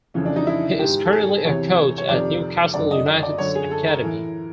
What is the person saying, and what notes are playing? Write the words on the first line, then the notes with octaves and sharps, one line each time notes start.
He is currently a coach at Newcastle United's academy.
F2 C#3 E3 C#4
D4
D#4
E4
G#2 D#3 G4
A4
G#4
E2 C3 E3 C#5
C#5
F2 C3 D#3 D5
F#2 D3 D5
D#5
D#5
D5
F#2 D3 C#5
G#4
A4
A#4
A2 E3